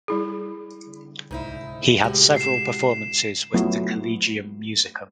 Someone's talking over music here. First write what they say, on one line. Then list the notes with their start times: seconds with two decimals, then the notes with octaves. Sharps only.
He had several performances with the Collegium musicum.
0.08 G3 E4 G#4
1.31 C2 G#2 D#4 E4
2.04 A2 C3 G#3 F#4 G4
2.36 C7 E7
3.54 F#3 A3 B3 E4 F4